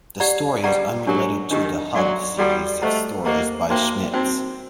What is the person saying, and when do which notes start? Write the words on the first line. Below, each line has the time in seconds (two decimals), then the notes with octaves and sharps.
The story is unrelated to the "Hub" series of stories by Schmitz.
0.20 G4 D5 F#5 A#5
0.64 G3 G4 D5 F#5 A#5
1.07 F#3 D4 G4 A#4
1.50 D#3 D4 G4 A#4
1.95 F#3 F#4 A4 D5 F#5 A#5
2.39 G3 F#4 A4 D5 F#5 A#5
2.82 A3 G4 C5 D#5 F#5 A#5
3.25 A#3 G4 C5 D#5 F#5 A#5
3.70 A#3 D#4 F#4 C5 G5
4.13 C4 D#4 F#4 C5 G5